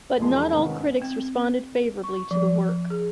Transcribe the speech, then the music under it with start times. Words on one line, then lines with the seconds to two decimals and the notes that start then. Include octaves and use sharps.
But not all critics responded favourably to the work.
0.19 E1 F3 G#3 D#4 G#5 C6
0.52 G#2 C3 D#3 B3 C#4
1.02 C4
2.04 C#6
2.31 F3
2.90 G#4